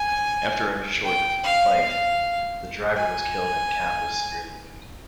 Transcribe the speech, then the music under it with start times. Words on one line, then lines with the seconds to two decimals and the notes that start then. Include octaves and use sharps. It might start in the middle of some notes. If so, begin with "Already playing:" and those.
After a short fight, the driver was killed and Kapp was severely wounded.
Already playing: G#5
1.05 G5
1.43 F5
1.82 F5
2.96 G#5